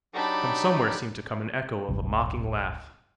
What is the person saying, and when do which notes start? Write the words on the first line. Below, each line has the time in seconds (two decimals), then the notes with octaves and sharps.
From somewhere seemed to come an echo of a mocking laugh.
0.14 F#3 D4 D#4 G4 B5
1.88 D1 G1 C3